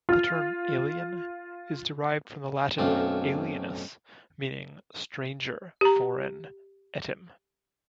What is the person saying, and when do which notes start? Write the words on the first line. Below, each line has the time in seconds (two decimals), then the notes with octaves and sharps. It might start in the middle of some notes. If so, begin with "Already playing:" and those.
The term "Alien" is derived from the Latin "alienus", meaning stranger, foreign, etym.
0.09 F4 F6
2.78 B1 F#2 A3 C4 F4
5.81 G4 A#5